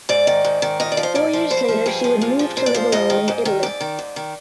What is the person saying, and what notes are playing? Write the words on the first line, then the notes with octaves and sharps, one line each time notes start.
Four years later she would move to live alone in Italy.
G#2 D5
D#3
G#2
D#3
A#2 D#5
D5
F3
C5
A#2 D5
F3
G2 C5
F3
G2 G#4
F3
A#2
F3
A#2 C5
D5
F3 C5
G#2 D#5
D#3
G#2
D#3
G#2 D5
D#3
G#2
D#3